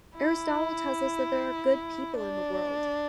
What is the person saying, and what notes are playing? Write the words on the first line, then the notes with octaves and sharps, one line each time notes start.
Aristotle tells us that there are good people in the world.
E4
D4